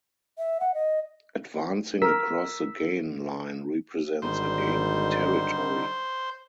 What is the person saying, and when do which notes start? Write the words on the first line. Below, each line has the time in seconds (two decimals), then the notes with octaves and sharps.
Advancing across the gain line represents a gain in territory.
0.38 E5
0.60 F#5
0.74 D#5
2.02 A#4 E6 B6
4.22 G#1 D3 G3 D#4 C5